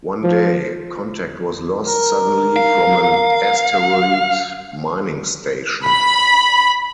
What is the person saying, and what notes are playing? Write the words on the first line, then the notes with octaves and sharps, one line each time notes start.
One day, contact was lost suddenly from an asteroid mining station.
F3
A#4
F5
B5